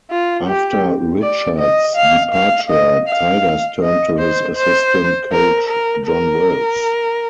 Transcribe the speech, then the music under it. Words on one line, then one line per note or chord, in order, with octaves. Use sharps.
After Richards' departure Tigers turned to his assistant coach John Wells.
F4
G4
D5
D#5
F5
F5
D#5
F5
D#5
C5
C5
A#4
A#4
A#4